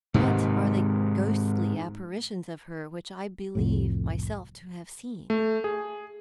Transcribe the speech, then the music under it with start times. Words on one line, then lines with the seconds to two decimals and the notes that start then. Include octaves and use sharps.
What are the ghostly apparitions of her which I believe myself to have seen?
0.14 G#2 C3 D#3
3.55 C2 F2 A2
5.30 A3
5.64 G#4